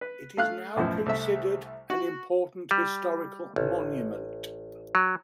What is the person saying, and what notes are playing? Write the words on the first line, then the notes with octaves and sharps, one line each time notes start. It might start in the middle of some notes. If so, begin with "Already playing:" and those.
It is now considered an important historical monument.
B4
A3 F5 F#6
B1 F#2 A2 F3
C2 A3 E5
F#4
G3
A1
F#3